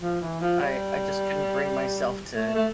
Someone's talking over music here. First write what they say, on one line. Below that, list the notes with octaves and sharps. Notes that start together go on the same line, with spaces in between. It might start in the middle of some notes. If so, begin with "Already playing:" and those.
I I just couldn't bring myself to
F3
E3
F3
G3
A3
A3